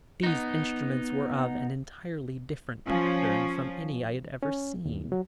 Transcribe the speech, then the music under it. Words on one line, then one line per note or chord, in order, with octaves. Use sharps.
These instruments were of an entirely different pattern from any I had ever seen.
B3 D#4
F3 C#4
C#4
D#2
F#3